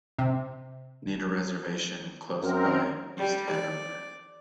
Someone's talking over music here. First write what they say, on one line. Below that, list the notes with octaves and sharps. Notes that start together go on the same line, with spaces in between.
Need a reservation close-by East Hanover.
C3
F#2 C4 A#4
G3
D5